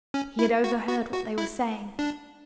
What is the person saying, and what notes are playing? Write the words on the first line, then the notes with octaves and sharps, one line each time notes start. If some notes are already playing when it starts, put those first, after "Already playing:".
He had overheard what they were saying.
C#4
E4
F#4
F#4
F#4
E4
D4